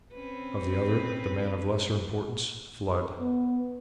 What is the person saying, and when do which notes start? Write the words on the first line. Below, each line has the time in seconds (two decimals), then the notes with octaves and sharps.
"Of the other--the man of lesser importance--Flood."
0.13 C4 C#4 B4
3.20 B3